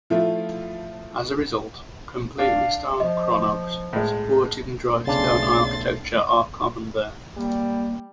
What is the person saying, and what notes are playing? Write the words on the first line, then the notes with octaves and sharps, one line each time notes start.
As a result, completely stone crannogs supporting drystone architecture are common there.
F3 A3 E4 F4
D4 F5
F3 D#5
A2 G#3
B1 C#3 A3 D4 C6 A6
G3 A#3